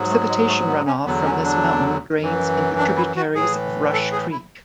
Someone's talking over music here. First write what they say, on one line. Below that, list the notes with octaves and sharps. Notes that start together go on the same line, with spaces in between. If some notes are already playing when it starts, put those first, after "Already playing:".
Precipitation runoff from this mountain drains into tributaries of Rush Creek.
Already playing: G#2 F#3
A3
G#3
A3
B3
C#4
E2 D3 F#3 B3
C#4
D4
F#2 E3
D4
E4
F#4
A2 E3 G#4
A4
G#4
E4